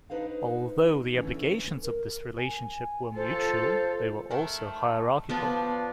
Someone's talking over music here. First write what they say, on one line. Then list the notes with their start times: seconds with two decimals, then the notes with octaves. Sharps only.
Although the obligations of this relationship were mutual, they were also hierarchical.
0.10 D4 D#4 B4 C5 F5
1.14 E2 D3 E3 A3 B3 C#4
1.83 A#4
2.38 G#5
3.16 F4 A4 C5
4.31 D#3 A3
5.29 F3 B3 D4